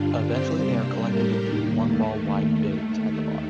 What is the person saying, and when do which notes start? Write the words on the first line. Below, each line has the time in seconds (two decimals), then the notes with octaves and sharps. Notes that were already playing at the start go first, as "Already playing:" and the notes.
Eventually, they are collected into one-ball-wide bins at the bottom.
Already playing: G2 D3 G3 D4 F4
0.26 G3 C4 G4 C5
0.66 C3 G3 A#3 D4
1.06 A2 G3 D4 G4 A#4
1.45 D#2 D#3 A#3
1.85 D#2 D#3 A3